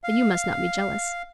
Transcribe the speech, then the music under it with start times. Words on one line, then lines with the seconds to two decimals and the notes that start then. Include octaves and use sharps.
"But you must not be jealous."
0.04 F5